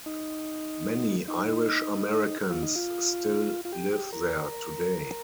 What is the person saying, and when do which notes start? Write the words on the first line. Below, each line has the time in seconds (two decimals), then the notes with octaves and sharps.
Many Irish-Americans still live there today.
0.06 D#4
1.28 D#4
2.50 F4
2.63 D#4
2.76 F4
3.65 F4
3.72 G4
3.93 G4
4.13 A#4